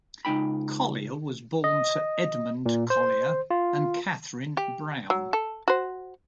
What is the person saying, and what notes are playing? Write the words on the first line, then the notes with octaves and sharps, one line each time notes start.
Collier was born to Edmund Collier and Katherine Brown.
C#2 B3 D#4 G5 B5
D#5
A#2
C5
F4
G4
F#3
A4
F#4 C5